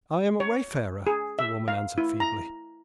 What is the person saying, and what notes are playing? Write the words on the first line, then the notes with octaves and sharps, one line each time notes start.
"I am a wayfarer," the woman answered feebly.
C#5
G#4
E5
F5
E4
A#5